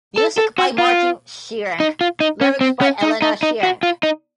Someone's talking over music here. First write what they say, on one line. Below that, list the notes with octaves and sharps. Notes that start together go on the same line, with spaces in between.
Music by Martin Schirenc, lyrics by Elena Schirenc.
A4
A4
F#4
F4
D#4
F4
D#4
C#4
C4
C#4
D#4
D#4
D#4
F#4
F4
D#4